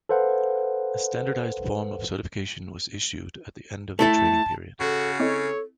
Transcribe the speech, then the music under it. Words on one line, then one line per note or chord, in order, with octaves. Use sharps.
A standardised form of certification was issued at the end of the training period.
A4 B4 C5 F5 F#5
A3 E4 A4 A5
C#3 F#4 A4
C4 E4 A4 C#5 D#5